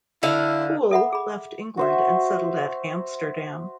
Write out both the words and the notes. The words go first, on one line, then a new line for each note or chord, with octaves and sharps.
Poole left England, and settled at Amsterdam.
D3 E4 F5
A4 E5 F#5 B5
G#4 B5
F#4 C5 E5